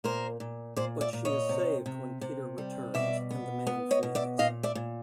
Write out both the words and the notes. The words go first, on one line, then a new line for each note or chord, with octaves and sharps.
But she is saved when Peter returns, and the man flees.
A#2 A#4 C5
A#2
A#2 C5 D5
D5 E5
A#2
C#5 D#5
C3
C3
C3
G3
B2 D5 E5
B3
B3
C#5 D#5
B2
D5 E5
A#2 D#5 F5
D5 E5
A#2